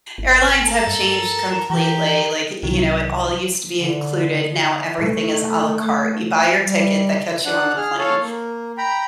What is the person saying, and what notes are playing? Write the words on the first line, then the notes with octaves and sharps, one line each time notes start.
Airlines have changed completely, like, y you know, it all used to be included, now everything is a la carte; you buy your ticket that gets you on the plane,
G#1
A4 A#4 A5
G2
E3 G4 A#4
C2 C3 D#3 F#3
D3
A3
G3
D4 F#5 F#6
G#4 F6
A4 C#5 F5
A#3
G5 A#5 B5